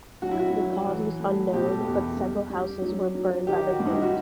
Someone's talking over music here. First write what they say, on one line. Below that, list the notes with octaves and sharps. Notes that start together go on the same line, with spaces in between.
The cause was unknown, but several houses were burned by the flames.
F#3 F#4
E4
F#4
F#3
E3
A2
B2 G4
A4
G4
E2
G3
G3
F#3
F#3
D#3 G4
F#4
G2
D#4
E4
F#4